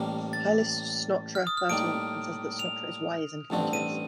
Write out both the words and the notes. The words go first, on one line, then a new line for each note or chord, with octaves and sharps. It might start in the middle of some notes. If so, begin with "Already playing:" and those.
High lists Snotra thirteenth, and says that Snotra is wise and courteous.
Already playing: A1 A2 G3 A#3
A6
F6
D#6
F6
A2 G3 A#3 D#4 D7
F7
A1 G2 D3 A3 C4
D#7